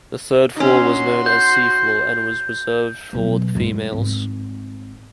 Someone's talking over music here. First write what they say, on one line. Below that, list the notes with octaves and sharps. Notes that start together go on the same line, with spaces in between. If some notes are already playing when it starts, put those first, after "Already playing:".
The third floor was known as "C" floor and was reserved for the females.
C#4 D#4 F#4 C6
G6
B2 F#3
G#2 G#3
G#1